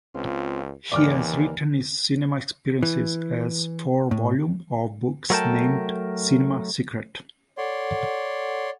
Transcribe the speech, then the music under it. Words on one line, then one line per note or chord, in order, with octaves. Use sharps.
He has written his cinema experiences as four volume of books named "Cinema secret".
C#2 C4 F4
D#2 G#2 E3 D5 D6 F6
A#3
E3
A2
F#3 A3 A#4 C#5 G5 A5
A4 C#5 D5 F#5 C6